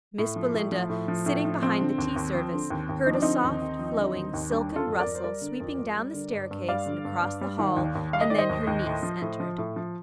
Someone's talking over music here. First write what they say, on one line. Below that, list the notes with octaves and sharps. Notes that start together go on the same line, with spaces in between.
Miss Belinda, sitting behind the tea-service, heard a soft, flowing, silken rustle sweeping down the staircase, and across the hall, and then her niece entered.
A2
F3
A2
F3
A2
F3
A2
F3
F3 C4
D3
D#2
D#2
F3
D3
D#2
D#2
F3 D#4
D4
D3 C4 D#4
D#2
D#2
F3
D3
D#2
D#2
G3 D4
D3
F4 A4
F2
A#4 D5
F2
C5
G3 A#4 D5
D3
F2
F2
G3
D3
G2
G2
G3 D5 F5
D3
G2
G2
G3
D#3
D#2
D#2
G3 F5
D#5
D#3 D5
C5 D#5
D#2
D#2
A2
F3
A2
F3
A2
F3